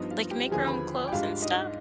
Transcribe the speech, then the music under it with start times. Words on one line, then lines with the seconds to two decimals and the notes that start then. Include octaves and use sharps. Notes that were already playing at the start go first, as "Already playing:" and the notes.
like, make our own clothes and stuff.
Already playing: G2 F3 B3 D#4 D#5
0.11 F4 F5
0.31 G4 G5
0.51 D#2 D3 F3 G#4 G#5
0.67 B4 B5
1.08 G5
1.12 G#2 G3 D4 F4 F5
1.42 D#4 D#5